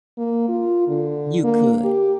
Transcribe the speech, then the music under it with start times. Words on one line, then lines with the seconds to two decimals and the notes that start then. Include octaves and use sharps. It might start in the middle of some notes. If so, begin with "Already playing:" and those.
You could.
0.18 A#3
0.49 F4
0.88 D3
1.44 A#3
1.84 G4